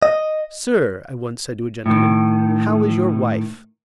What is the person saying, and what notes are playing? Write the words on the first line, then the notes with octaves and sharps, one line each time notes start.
"Sir," I once said to a gentleman, "how is your wife?"
D#5
A2 D#3